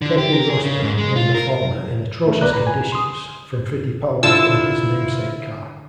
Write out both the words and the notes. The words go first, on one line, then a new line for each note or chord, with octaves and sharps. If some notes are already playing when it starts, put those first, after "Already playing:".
Keke Rosberg won the former in atrocious conditions from Fittipaldi in his namesake car.
D3
G4
A#4
G#4
C#3
G#2
G#3
F4
A#4
A3
C#2 B3 B4 D5 A#5 F#6
A2 B4 A#5
G#5
C6 D#6
D3 E4 F4 C5 A5 E6